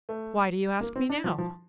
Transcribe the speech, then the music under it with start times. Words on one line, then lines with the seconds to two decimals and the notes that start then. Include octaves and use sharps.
"Why do you ask me now?"
0.09 A3
0.81 A#3
0.96 C4
1.10 D4
1.24 F3
1.38 F3